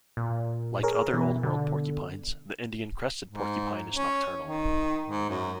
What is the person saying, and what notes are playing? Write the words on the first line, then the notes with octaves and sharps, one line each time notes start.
Like other Old World porcupines, the Indian crested porcupine is nocturnal.
A#2
G#4 A#4 C#5
B2 E3
D3
G#2
C#4
D#3
G#2
F#2